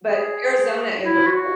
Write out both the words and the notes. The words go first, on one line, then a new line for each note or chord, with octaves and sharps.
but Arizona is a pla
G#4
E4
F#4